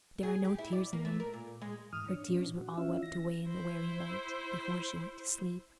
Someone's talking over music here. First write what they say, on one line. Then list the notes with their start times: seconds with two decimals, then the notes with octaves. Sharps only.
But there are no tears in them: her tears were all wept away in the weary night, before she went to sleep.
0.23 G#4
0.45 G4
0.58 E4
0.73 D5
0.93 A#3
1.05 A3
1.20 A#4
1.33 A#2
1.62 G#3
1.93 G#2 E3 D#6 F6
2.08 D4 C#5
2.28 A#2 F3 C#4 D4
2.57 F#4
2.77 C#4 E4 F4 E5
3.03 E3 A#6
3.47 E4 C5